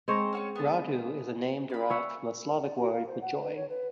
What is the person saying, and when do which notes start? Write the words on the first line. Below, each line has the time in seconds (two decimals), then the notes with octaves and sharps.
"Radu" is a name derived from the Slavic word for "joy".
0.08 G#3 C4 C5 C#5 A#5
0.33 C#4 F#4 C#6
0.55 B3 G#4 A5
1.70 D5 B5
1.90 C#5 E5 F#5
2.46 A#4
2.61 D5
2.78 F#4
2.92 F5
3.07 C5
3.21 F#5
3.40 B4
3.55 C#5
3.69 B4